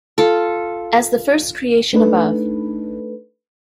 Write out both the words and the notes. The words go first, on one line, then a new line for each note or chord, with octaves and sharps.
As the first creation above.
F4 A4
A3 D4 D#4 A4 B4